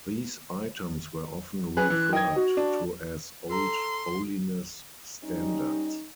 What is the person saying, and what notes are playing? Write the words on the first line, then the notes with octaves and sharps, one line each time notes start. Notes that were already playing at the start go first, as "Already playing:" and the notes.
These items were often referred to as old holiness standards.
C#4 G#4 B4 F#6
E3
D#4 D#5 G5 G#6
F#4
D4
A4 A#5 C6
G3 C#4 D#4